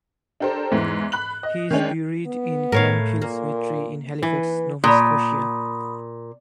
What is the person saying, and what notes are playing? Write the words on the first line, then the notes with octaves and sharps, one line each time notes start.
He is buried in Camp Hill Cemetery in Halifax, Nova Scotia.
D4 G4 A4 A#4 C5
E2 G#2 E3
B5 F#6 F#7
D#5
D#3 G#3 C#4 D4
B3
A2 A#4 C#5 F5
A#2 A#3
E3 B4
A#2 B5 D#6